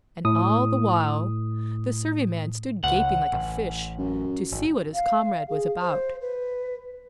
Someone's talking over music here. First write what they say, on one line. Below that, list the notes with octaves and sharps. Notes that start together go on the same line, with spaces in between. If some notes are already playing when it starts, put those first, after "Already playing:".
And all the while the serving-man stood gaping like a fish to see what his comrade was about.
A2 D#6
C#2 F#5
A1
F#2
G#1
F5
G#4
C5
B4